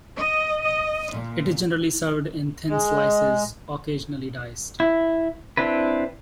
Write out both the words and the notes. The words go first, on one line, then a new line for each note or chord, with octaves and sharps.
It is generally served in thin slices, occasionally diced.
D#5
D#5
A#2
G#3
E4
C4 D4 E4 B4